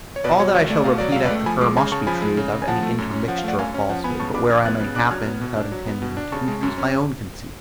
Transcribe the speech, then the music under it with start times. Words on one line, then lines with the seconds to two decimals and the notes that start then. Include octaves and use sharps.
All that I shall repeat after her, must be true, without any intermixture of falsehood, but where I may happen, without intending it, to introduce my own conceits.
0.16 C#5
0.24 B2 B4 D5
0.40 F#3 C#5
0.55 C#2 C#5
0.70 A3 D5
0.84 B2 F5
0.98 F#3 D5
1.12 C#2 F5
1.26 B4 D5
1.31 A3
1.46 F3 G#5 B5
1.61 G#3 B5 D6
1.76 C#3 G#5 B5
1.92 C#3 A5 C#6
2.07 F3 G#5 B5
2.22 G#3
2.37 C#3
2.52 C#3
2.62 G#5
2.68 F3 F#5 A5
2.83 A3
2.98 F#2
3.13 C#4
3.28 F3 F#5
3.38 F5
3.44 A3 D5 F#5
3.59 F#2 F5 G#5
3.74 C#4
3.89 F3 F#5 A5
4.04 B3 G#5 B5
4.20 C#3 A5 C#6
4.34 D4 B5 D6
4.50 F3 F6 G#6
4.65 B3 F#6 A6
4.81 C#3
4.95 D4 D6 F#6
5.11 F#3 F6 G#6
5.26 B3
5.41 B2
5.56 D4
5.72 F#3
5.86 B3
6.02 B2
6.17 D4
6.32 C#3 A5 C#6
6.48 G#3
6.63 F#2
6.78 C#4